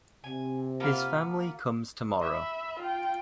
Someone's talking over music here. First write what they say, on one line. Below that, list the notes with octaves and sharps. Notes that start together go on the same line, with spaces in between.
His family comes tomorrow.
C3 G#5
A#3 B3 F4
E5 B5
F4 G5